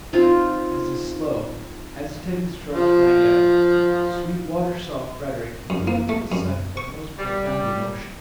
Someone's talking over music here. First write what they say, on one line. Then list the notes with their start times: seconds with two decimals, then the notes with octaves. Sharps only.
As the slow, hesitating strokes rang out, Sweetwater saw Frederick yield to a sudden but most profound emotion.
0.13 C4 D#4 F4
2.72 F3 F4
5.70 F#2
5.87 A#3
6.09 A3
6.32 F#2
6.77 C#6
7.18 G3